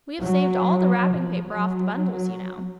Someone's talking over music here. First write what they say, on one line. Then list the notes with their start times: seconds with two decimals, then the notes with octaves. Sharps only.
"We have saved all the wrapping paper off the bundles, you know."
0.20 F#3
1.14 F3
1.48 F#3